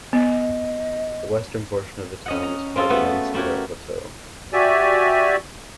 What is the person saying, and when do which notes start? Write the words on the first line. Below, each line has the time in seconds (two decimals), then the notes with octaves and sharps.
The western portion of the town is part of the Rensselaer Plateau.
0.13 B3 D#5
2.26 C#4 D#5 F#5
2.43 A#5
2.76 C4 C#4 F4 G#4 A4
2.90 A3 B3 F#4 A4 F#5
3.34 A3 F#4 G4 A#4 C#5
4.53 F#4 G4 D5 E5 G#5